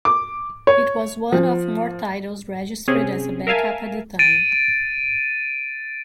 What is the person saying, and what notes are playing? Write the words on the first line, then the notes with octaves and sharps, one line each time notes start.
It was one of more titles registered as a backup at the time.
D6
C#5
F3
C3 C4 C#4 G#4
A#4 E5 F5 G#5 A5
A6 D7 D#7